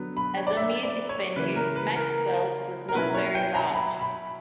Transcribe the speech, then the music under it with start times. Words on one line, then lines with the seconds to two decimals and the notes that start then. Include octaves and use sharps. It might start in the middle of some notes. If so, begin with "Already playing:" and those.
As a music venue, Maxwell's was not very large.
Already playing: D3 F#3 B3
0.17 B5
0.37 C#5
0.47 D5
0.57 E5
0.83 D5
1.09 C#5
1.36 C#3 E3 A#3 B4
1.56 A#4
1.76 B4
1.96 A#4
2.89 A#4
2.95 B2 F#3 C#4 E4 B4
3.15 C#5
3.35 G5
3.54 A#5
3.74 B5
4.01 B5